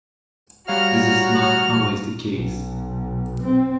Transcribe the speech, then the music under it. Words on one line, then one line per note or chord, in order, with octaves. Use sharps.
This is not "always" the case.
G3 F#4 C#5 F5 F#5 A#5 F6
B1
C4